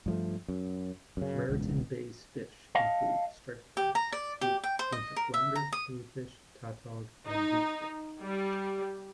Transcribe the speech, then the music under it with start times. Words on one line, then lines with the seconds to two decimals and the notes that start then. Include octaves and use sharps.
Raritan Bay's fish include striped bass, fluke, winter flounder, bluefish, tautog and weakfish.
0.06 G2 F3 A3
0.48 F#2
1.17 F#2 C#3
1.50 E1 C#2
2.75 D#5 F5 A5
3.77 G4
3.95 A#5
4.13 D5
4.41 G4
4.64 G5
4.79 C5
4.92 D#5
5.16 A#4
5.34 E5
5.55 A#5
5.73 D#6
7.27 D#4
8.21 G3